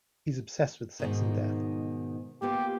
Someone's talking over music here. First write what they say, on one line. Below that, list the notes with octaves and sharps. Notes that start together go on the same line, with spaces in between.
He's obsessed with sex and death.
G#2 B2 D#3
A#3 B3 F4 G4